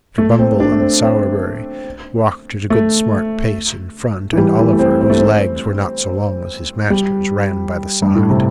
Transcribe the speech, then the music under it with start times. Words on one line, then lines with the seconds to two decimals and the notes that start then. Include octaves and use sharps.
Mr. Bumble and Sowerberry walked at a good smart pace in front; and Oliver, whose legs were not so long as his master's, ran by the side.
0.18 A3
0.39 C4
0.60 D4
0.72 A3
0.80 C4
1.02 C4
2.70 A3
4.33 E3
4.38 G3
4.59 E3
4.73 A3
4.79 C4
5.01 C4
5.10 A3
5.18 C4
6.90 G3
8.02 G2
8.16 A2
8.30 C3